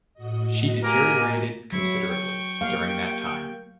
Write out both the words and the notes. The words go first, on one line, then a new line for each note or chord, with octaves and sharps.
She deteriorated considerably during that time.
A2 F#4 D#5
A#3 G4 A#4 G#5 A#5
F#3 E4 C#6
G5
A#3 G4 F5